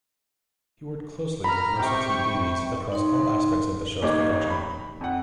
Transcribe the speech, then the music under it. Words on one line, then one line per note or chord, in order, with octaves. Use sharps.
He worked closely with Russell T Davies across all aspects of the show's production.
A#5 B5 F6
C3 G4 G5 C#6
D#4 C#5 C6
A1 D#2 D#4 G4 C#5 D6
B5
F2 F#5